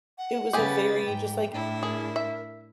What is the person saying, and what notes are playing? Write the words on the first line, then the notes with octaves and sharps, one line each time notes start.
It was a very just, like,
F#5
C#3 G4 G#4 B4 G#5 A6
G#2 G5
A2 D4 E4 G5
G#4 A#4
E5